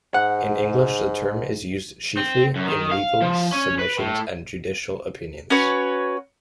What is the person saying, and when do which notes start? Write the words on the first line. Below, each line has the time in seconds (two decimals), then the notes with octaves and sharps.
In English the term is used chiefly in legal submissions and judicial opinions.
0.14 G#2 F#5
2.17 C4
2.56 F#2
2.67 D#3
2.91 F5
3.22 F3
3.53 C#4
3.79 B4
4.00 A2
5.50 C#4 F#4 B4 C#5